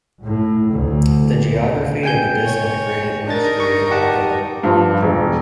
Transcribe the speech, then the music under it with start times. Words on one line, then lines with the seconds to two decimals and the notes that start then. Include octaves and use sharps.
The geography of a disintegrated industry is not a given.
0.24 A2
0.73 D2
2.03 G5 G#5 G6
2.46 C#5
3.28 D4 D#4 A#4 A6
3.60 C#6
3.91 G4 F#5 A5
4.63 G2 F3
5.02 E1